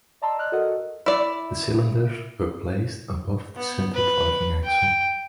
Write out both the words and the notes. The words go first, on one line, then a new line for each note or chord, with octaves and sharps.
The cylinders were placed above the center driving axle.
D5 D#5 A5 A#5 C6 E6
D5 D#5 F6 F#6
F#4 A4 A#4 D#5 F#5
E4 D5
B3
B4
G5